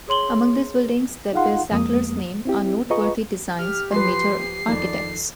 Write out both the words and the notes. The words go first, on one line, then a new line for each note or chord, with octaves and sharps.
Among these buildings that bear Sackler's name are noteworthy designs by major architects.
G#4 C#5 C6 F#7 G7
D#4 F4 G#4 F5 F#5 C6
F2 G#3 A#3 D#6
C4 E4 G4
F4 G#4 B4 D#5 A#5 C#6
G4 F6
F3 B4 C6 C7
F2 D#3 D5